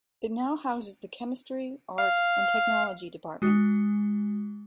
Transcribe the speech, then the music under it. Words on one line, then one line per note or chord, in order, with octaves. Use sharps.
It now houses the Chemistry, Art and Technology departments.
F5
G#3 F#4